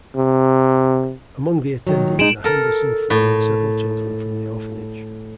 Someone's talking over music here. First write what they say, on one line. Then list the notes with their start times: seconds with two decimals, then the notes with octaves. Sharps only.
Among the attendees are Henderson, Flynn and several children from the orphanage.
0.16 C3
1.87 D#3 F#3
2.19 G#3 D#4 D7 E7 F#7
2.44 A4 A#4
3.10 A2